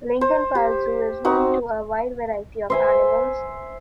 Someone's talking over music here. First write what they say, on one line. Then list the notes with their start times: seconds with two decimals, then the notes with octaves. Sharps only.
Lincoln Park Zoo is home to a wide variety of animals.
0.21 C5
0.55 G4
1.25 C4 D#4 F#4
2.70 C5 E5 G#5